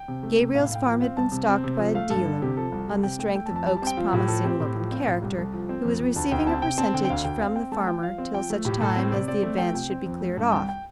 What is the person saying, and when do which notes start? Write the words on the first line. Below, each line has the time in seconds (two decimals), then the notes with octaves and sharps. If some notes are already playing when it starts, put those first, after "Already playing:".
Gabriel's farm had been stocked by a dealer--on the strength of Oak's promising look and character--who was receiving a percentage from the farmer till such time as the advance should be cleared off.
Already playing: G5
0.08 C3
0.23 A3
0.39 C3
0.55 A2 F5
0.70 A2 F5
0.75 G5
0.86 F3 G5
1.01 C4 F5
1.17 C2 A5
1.32 C3
1.49 C4
1.64 C3
1.79 F3
1.95 A3 F5
2.10 G2 A4
2.25 D3
2.42 C3 G4
2.57 F3 A4
2.72 C2
2.88 G3
3.03 C3 G5
3.19 A3 G5
3.35 A3 G5
3.46 A5
3.51 F2
3.56 A5
3.66 G3 A5
3.77 A5
3.82 C4 G5
3.97 F3 F4
4.13 A2 G4
4.28 F3 A4
4.44 C4 G4
4.60 A2 G4
4.76 F3
4.91 C4 F4
5.06 A2 F4
5.22 C2 G4
5.37 C2 A4
5.54 F3
5.69 C4
5.85 F2
6.00 F2
6.16 D2 A5
6.31 D2 G5
6.47 C4 A5
6.62 C3 G5
6.78 C4 A5
6.94 D3 G5
7.05 G5
7.10 D2 F5
7.24 D2 G5
7.41 C4 F5
7.56 C4 G5
7.72 A3 A5
7.87 F3 G5
8.03 F3 F5
8.18 C4
8.34 F3 G5
8.50 A3
8.65 A2 G4
8.81 A2 A4
8.96 C4
9.12 C3 D5
9.28 C4 D5
9.43 A3
9.58 F3 G5
9.74 C3 G5
9.90 C4
10.06 F2
10.21 A3
10.37 G2
10.52 C2 G5
10.69 G5